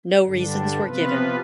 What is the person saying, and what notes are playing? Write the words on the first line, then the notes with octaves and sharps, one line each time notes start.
No reasons were given.
G2 D3 G3 D4
C3 F3 B3 F4 B4